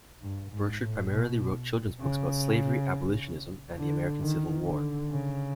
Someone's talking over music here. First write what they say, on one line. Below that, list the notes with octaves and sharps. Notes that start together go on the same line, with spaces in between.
Burchard primarily wrote children's books about slavery, abolitionism, and the American Civil War.
G2
G#2
A2
B2
C#3
D3
D#3
D3
C#3